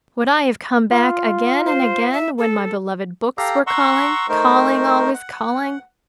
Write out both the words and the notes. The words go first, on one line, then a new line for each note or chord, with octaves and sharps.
Would I have come back again and again, when my beloved books were calling, calling, always calling?
F4
C5
E5
A4
G4 A4 F5 A#5
F#5 A#5 C6 C#6 E6
A3 D#4 A#4 C5
F#5